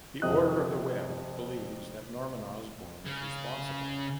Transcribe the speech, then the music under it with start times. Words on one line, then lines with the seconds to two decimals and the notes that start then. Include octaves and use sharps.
The Order of the Web believes that Norman Osborn is responsible.
0.22 F2 C3 G4 D#5 D#6 F#6
3.05 C#3